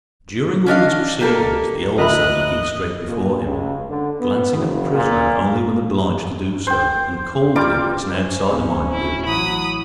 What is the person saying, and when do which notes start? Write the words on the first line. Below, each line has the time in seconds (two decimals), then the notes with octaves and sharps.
During all these proceedings the Elder sat looking straight before him, glancing at the prisoner only when obliged to do so, and coldly as an outsider might do.
0.66 C#4 D4 D#5 F5
1.20 A#3 G4 A4 A#4
1.98 A2 D3 F3 A#4 D#5 E5 B5 F#6
3.07 A#2
3.44 C#2
3.89 D3
4.20 B3
4.56 F#1
4.95 A#2
6.67 C5 G5
7.56 G3 A#3 F4 D6
8.14 C#4 C5
8.51 D1 B3 C4
8.92 E4
9.27 A1 F#3 E4 B5 D#6